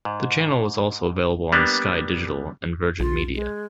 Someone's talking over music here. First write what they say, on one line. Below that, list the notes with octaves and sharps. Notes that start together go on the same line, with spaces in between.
The channel was also available on Sky Digital and Virgin Media.
G#2
G3 A#3 B3 D4
B1 F4
G#3